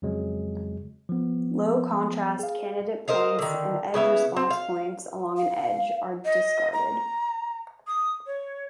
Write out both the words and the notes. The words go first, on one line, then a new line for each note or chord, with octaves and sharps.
Low contrast candidate points and edge response points along an edge are discarded.
F2 C#3 F#3 G#3
F3 B3
G#4 F5
A#4 C5 D#5 F5
D3 D#3
C#3 B3 E4 F5
C4
F5
F5
D#5
A#5
D#6
C#5